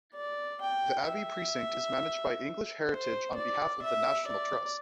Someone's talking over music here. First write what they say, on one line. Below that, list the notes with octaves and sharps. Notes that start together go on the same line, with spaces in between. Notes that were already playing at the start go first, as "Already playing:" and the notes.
The Abbey precinct is managed by English Heritage on behalf of the National Trust.
D5
G5
E5
C5
D5
E5
D5